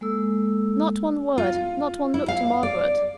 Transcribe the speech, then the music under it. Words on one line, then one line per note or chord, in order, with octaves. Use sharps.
Not one word: not one look to Margaret.
G#3 A#3 A4 E6
F4
E4
F5
D5